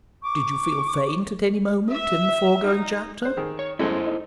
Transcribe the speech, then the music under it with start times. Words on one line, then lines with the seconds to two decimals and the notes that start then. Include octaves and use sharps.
Did you feel faint at any moment in the foregoing chapter?
0.21 C#6 D6
1.90 E5
2.64 D#4
3.22 C5 F#6
3.37 D#3 G#4
3.59 C#5
3.79 F#2 G#3 A3 E4 A4 C5
4.06 D#4